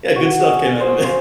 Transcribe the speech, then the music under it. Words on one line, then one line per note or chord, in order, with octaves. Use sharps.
yeah, good stuff came out of it.
F#4
G#4
G#5
C5
C5